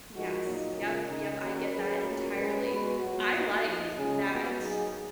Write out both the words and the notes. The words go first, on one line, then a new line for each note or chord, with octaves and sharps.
Yes, yup, yup, I get that entirely. I like that
F3 G#3 D#4 F#4 A#4
A#2 F#3 A#3 D#4
C#3 G#3 C#4 F4 A#4
C#3 G#3 D#4
D#3 A#3 C#4 F#4 A#4
F#3 C#4 G#4 B4
A#2 F#3 C#4 F#4 A#4
G#3 C#4 G#4 B4
G#3 B3 F#4 B4
A#2 F#3 B3 F#4
A#3 D#4 F#4
F3 A#3 D#4
C#3 G#3 C#4 F4 G#4
A#2 G#3 B3 F#4
F#3 A#3 D#4 G#4